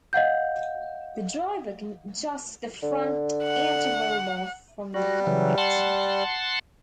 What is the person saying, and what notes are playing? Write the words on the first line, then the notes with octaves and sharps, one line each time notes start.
The driver can adjust the front anti-roll bar from the cockpit.
D#5 F5 F#5 G6
D3
F#5
G3 F#4
C#3 E3 F#3
F#5 A5 C6